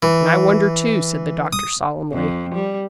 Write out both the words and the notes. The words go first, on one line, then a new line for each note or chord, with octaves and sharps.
"And I wonder too," said the doctor solemnly.
E3
D#6
F2
G3